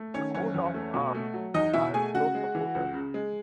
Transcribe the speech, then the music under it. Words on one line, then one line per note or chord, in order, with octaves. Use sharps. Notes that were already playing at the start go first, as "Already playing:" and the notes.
The coat of arms has no supporters.
Already playing: A3
D#3 C#4 C#5
F#1 C#4 C#5
E2
A3
B2
A3
F#3
E2 D#4 D#5
B2 E4 E5
A3 G#4 G#5
C#3 F#4 F#5
G#3
E3
C#2
C#3
G#3